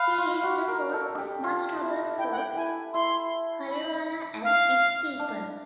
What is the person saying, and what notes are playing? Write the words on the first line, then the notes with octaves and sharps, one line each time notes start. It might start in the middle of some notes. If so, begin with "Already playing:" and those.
She is the cause of much trouble for Kalevala and its people.
Already playing: B4 F5
F4
F#4
A#4
A4
G4
F4
E4
E4 G5
F#5
G5
E4 G#5
E4 C6
B5
F5
D4